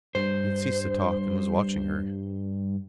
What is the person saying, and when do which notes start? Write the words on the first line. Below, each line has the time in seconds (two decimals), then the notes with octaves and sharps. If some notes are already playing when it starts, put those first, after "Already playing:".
He had ceased to talk, and was watching her.
0.15 G2 C5